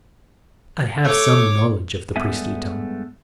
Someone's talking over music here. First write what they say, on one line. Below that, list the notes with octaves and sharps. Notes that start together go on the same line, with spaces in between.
"I have some knowledge of the priestly tongue."
A3 C#5 D6
G2 G#3 A3 B3 E5 G#5